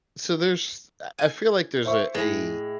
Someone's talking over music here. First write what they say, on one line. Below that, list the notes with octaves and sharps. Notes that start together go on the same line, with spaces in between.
so there's I I feel like there's a a
G#5
C5 E5 C#6
A2 G#3